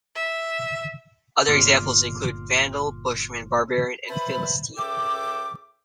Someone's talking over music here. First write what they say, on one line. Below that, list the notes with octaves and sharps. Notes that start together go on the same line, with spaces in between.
Other examples include Vandal, Bushman, Barbarian, and Philistine.
E5
G1 A#2 C6 D6 F6
B4 C5 E5 A5 B5
C#2 A4 E5 G5 D6